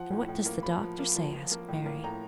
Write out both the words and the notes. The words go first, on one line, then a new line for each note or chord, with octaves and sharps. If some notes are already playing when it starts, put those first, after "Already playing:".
"And what does the doctor say?" asked Mary.
Already playing: F3 F#5
A2
A2
A#3
F3 B5
F3
A#3
F3
F3
A#3
A2
A#3
A2 A#5